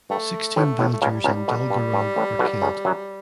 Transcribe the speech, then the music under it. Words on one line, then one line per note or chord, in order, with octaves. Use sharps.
Sixteen villagers in Dolgarrog were killed.
G2 A3
A1 A2 A3
A1 A2
A3
C#2 C#3 G3
C#2 C#3
B1 B2
G2
G2
A1 A2
B1 B2
C#2 C#3
F#2 F#3